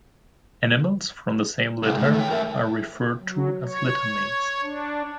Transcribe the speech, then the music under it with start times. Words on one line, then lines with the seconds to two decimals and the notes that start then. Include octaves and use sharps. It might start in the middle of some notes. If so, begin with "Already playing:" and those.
Animals from the same litter are referred to as litter-mates.
1.83 C2
1.97 G#2 A3
2.17 E3 G5
2.30 A#4 E5
3.20 F#3
3.67 C#5
4.63 D4